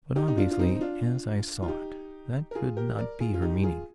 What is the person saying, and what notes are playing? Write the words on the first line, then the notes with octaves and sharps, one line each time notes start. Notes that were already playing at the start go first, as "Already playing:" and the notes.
But obviously, as I saw it, that could not be her meaning.
D#4 G4
D#4
D4 F4
F4
C4 D#4
D#4
D4 F4
F4
D#4 G4
A#4
F4 G#4
G4 A#4
A#4 D5
F4 G#4
F4
D#4 G4
F4 G#4